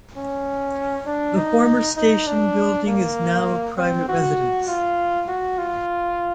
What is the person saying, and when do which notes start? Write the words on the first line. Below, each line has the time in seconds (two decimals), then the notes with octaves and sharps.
The former station building is now a private residence.
0.17 C#4
1.06 D4
1.36 D#4
1.97 D#4
2.27 D4
2.88 A#3
3.78 C4
4.09 F#4
4.68 F4
5.28 F#4
5.58 F4